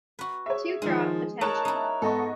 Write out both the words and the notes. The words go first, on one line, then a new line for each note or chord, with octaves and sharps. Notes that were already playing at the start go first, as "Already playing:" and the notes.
To draw attention.
F#4 B4
G#4 C#5 E5
D#3 F3 G#3
D#4 A#4 C#5 A5 F#6 E7
D#4 E4
G#2 B3 A4 D#5 C#6